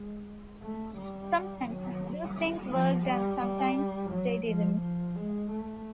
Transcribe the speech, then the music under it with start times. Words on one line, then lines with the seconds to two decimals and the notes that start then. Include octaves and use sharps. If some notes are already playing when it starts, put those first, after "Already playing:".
Sometimes those things worked and sometimes they didn't.
Already playing: G#3
0.62 A3
0.97 G3
1.67 F#3
2.71 F3
3.06 G3
3.41 G3
4.10 F#3
4.46 F3
4.81 F3
5.15 G#3
5.50 A3